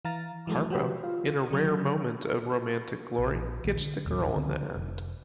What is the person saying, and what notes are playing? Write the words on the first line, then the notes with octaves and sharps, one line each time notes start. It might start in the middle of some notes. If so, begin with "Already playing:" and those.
Harpo, in a rare moment of romantic glory, gets the girl in the end.
E3 F5 A#5 A6
E3 F#3 G#3 A3
F3 F#4 G4 B4
F4
D3 F#3
A#1
A#1 D#3
D3 D#3
G#1 D#2 A#2
C#2 D3 C4
F1